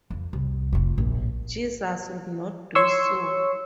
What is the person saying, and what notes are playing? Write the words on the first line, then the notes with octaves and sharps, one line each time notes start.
Jesus would not do so.
F2
C2
F1 F4
A#1
C#5 C6 C#6 E6